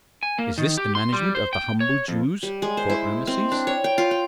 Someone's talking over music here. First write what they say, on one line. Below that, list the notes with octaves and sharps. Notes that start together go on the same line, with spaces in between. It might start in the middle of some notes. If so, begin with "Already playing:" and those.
"Is this the management of the humble Jews?" thought Rameses.
G#5
A#3
D#3
G4
C6
G3
C5
G5
C#5
F2
G3
G#3
C5
E4
C4
D4
C#5
G5
F4
G5